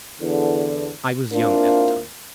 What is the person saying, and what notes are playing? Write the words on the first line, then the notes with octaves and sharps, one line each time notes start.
I was young at the time.
E2 D3
A#3 C4 D4 E4 F4 A#4